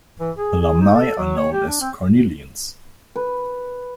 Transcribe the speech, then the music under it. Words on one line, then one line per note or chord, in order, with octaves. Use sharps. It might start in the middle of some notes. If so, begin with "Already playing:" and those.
Alumni are known as "Cornellians".
E3
G#4
G#4
D#4
A4
F#3
C#5
G4
D4
C4
B4